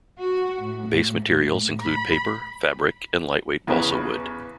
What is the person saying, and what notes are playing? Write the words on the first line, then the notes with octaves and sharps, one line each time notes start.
Base materials include paper, fabric, and lightweight balsa wood.
F#4
A2
B5
E2 C#3 B4